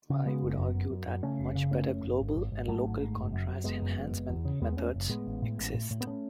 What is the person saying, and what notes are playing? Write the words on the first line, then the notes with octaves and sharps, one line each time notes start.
I would argue that much better global and local contrast enhancement methods exist.
C#3
C#3 G#3 B3
F#1
F#2
F#2
F#2
F#2
C#3 A3 C#4
F#1
C#3
F#1 A3 C#4
F#1
F#1
G#1
G#1
G#1
G#2 F#3 A3
G#1
G#2
F#1
F#2
F#2
F#1 G#3 B3
F#2
F#1
F#1
E2
C#3
E2 G#3 B3
B3
E2 A3 C#4
F#1
A2 G#3 B3
A1
A2
A1
A2
A2
B3
A3 C#4